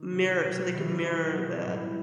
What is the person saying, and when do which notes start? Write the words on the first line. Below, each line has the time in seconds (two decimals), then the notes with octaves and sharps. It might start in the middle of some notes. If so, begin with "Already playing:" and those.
mirror so, they can mirror the
Already playing: D#3 D#4
0.12 C3 F#3 G4
0.44 B2 F#3
0.73 C3 D#3 F#3 E4
0.91 E4
1.03 B2 F#3 D#4
1.17 D#4
1.31 B2 F#3 F#4
1.53 F#4
1.61 A2 G3 E4